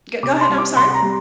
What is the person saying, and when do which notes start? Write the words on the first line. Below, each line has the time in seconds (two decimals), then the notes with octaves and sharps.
G go ahead. I'm sorry.
0.23 C3 D6
0.41 C6
0.50 G3 C4
0.58 D6
0.76 C3 C6
0.94 A#5
1.02 G3 C4